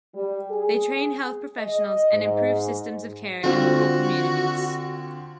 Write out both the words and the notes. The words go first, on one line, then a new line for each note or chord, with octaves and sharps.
They train health professionals and improve systems of care in rural communities.
G3
G#4
D#5
G#2
D3 C4 F4 F#4